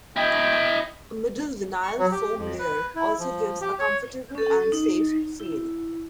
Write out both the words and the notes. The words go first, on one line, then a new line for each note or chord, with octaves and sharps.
A middle vinyl foam layer also gives a comfortable and safe feel.
E4 D#5 G5
C#6
F#3
G4
F2
B4
E4
F3
G4
C#5
C#4 A4
D#4
E4